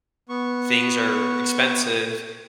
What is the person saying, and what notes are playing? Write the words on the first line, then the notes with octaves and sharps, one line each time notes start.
things are expensive,
B3 C#6